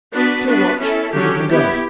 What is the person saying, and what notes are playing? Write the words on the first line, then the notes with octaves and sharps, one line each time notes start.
Til watch, and you can go.'
B3 D4 F#4 B4
B3 D4 F#4 B4
C#4 E4 A4
D3 F#3 C#4 G4
B3 E4 G4